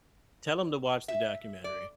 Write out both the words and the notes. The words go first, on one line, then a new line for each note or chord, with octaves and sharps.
Tell 'em to watch the documentary.
E5
D5